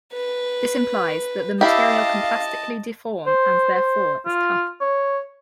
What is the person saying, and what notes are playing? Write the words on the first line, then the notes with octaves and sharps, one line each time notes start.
This implies that the material can plastically deform, and, therefore, is tough.
B4
E4 G4 D#5 F5 A5
C5
C5
F4
C#5